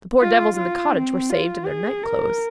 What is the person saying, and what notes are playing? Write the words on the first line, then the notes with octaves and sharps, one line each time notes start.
The poor devils in the cottage were saved in their night clothes.
F4
F4
C4
F4
G#4
A#4